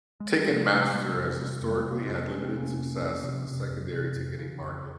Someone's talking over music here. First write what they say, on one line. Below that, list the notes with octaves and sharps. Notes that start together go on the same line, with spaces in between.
Ticketmaster has historically had limited success in the secondary ticketing market.
G#3
G3
C3 F3
C3
C3 G3 A#3
F2
C3 G3 A#3
F2
G3 A#3
C3
A#3
G#3 C4
F2
C3 C#4
C4
C3 A#3 C#4
F2
F2
C3
C3
F2
C3
F2
C#3
F2